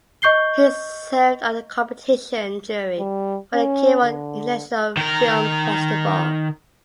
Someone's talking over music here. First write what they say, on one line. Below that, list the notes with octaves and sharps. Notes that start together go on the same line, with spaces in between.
He served on the competition jury for the Cairo International Film Festival.
D#5 C#6 G6 C7 G7
G3
C#4
D3
D#3 A#4